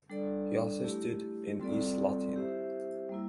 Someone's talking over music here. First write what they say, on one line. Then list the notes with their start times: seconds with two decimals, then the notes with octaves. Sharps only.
He also stood in East Lothian.
0.09 G3 D4 A4 D5
0.84 A3 E4 G4
1.60 G3 C4 F4 A4 D5
2.35 E4 G4 C5 E5
3.09 G3 A#3 E4